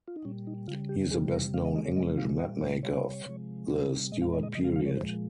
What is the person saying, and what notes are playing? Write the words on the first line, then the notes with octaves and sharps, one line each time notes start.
He is the best known English mapmaker of the Stuart period.
F4
D#4
A#2 G3 C#4
D#4
C#3 G3 F4
G4
C3 G3 G#4
A#4
C#3 G#3 F5
D#5
D#5
C#5
C3 F3 G#3 D#5
F5
A#2 G3 D#5
C#5
C3 G3 C#5
C#5
C3 F3 G#3
C3 G3
A#2 G#3 D#5
F5
D#5
D#5
C#3 F3 G#3 D#5
F5
F5
C#5
A#2 F3 G#3 C5